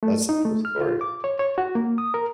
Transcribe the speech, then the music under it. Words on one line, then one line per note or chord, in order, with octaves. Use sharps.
That's another story.
A3
D#4
A3
F6
F4
D6
C#5
C#5
F#4
A#3
D#6
A#4